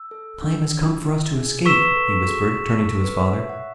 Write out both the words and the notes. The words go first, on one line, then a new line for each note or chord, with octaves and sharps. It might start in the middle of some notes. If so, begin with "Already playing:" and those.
"The time has come for us to escape," he whispered, turning to his father.
Already playing: E6
A4
D4
E4
G#4
B4 C#6 E6 B6 E7
B4
A4
A4
F#4
G#4
A4
B4
C#5
E5
F#5